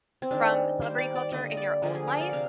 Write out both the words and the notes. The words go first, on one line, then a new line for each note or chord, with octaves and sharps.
from celebrity culture in your own life,
C4
D#3 G#3 D4
D#3 G3 A#3 C5
D5
D5
D3 G3 A#3 D#5
D#5
D5
D3 F3 A#3 G#4
G#4
A#4
D5
C3 F5